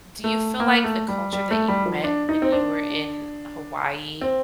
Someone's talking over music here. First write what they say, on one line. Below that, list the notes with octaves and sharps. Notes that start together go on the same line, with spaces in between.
do you feel like the culture that you met when you were in Hawaii,
A3
A#3
A3
G3
G3
A3
G3
F3
D4
D#4
C4
D4
C4